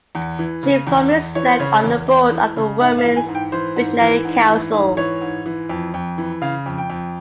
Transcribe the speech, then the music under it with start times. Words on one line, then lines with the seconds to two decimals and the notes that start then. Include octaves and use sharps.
She formerly served on the board of the Women's Visionary Council.
0.15 E2
0.39 E3
0.63 C#3
0.87 E2
1.11 E2
1.35 E3 C#5
1.48 C5
1.59 C#3 C#5
1.84 E2
2.08 E2
2.31 E3
2.56 C#3
2.80 G#2 E5
2.98 F5
3.04 E3
3.16 G#5
3.28 G#2
3.35 G5
3.52 E3 C5
3.76 G#2
4.01 E3
4.25 G#2
4.49 E3
4.73 G#2
4.97 E3 C#5
5.21 G#2
5.46 E3
5.69 F2
5.94 F2
6.18 E3
6.42 C#3 F5
6.66 F2
6.78 G5
6.90 F2